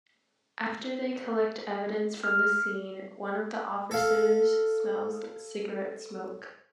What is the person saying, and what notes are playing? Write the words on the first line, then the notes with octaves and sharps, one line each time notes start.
After they collect evidence from the scene, one of the officers smells cigarette smoke.
F6
A4 F5